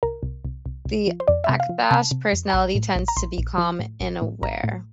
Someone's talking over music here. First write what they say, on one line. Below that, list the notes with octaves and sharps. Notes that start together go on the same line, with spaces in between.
The Akbash personality tends to be calm and aware.
C2 A#4
C2
C2
C2
C2
F3
C5
F2 D5
C3 E5
F5
F3
C3 A5
C3
F2
A5
A#1 A#5
A2
A#1
A#5
A#1 C6
A#1
F3
A2
A1
A2
A1 A#5
A2